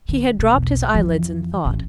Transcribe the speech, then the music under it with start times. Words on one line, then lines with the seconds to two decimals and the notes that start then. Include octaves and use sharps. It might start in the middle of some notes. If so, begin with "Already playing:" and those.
He had dropped his eyelids in thought.
0.09 D3
0.39 C3
0.53 B1 E2
0.94 F2 E3
1.65 A1 C#4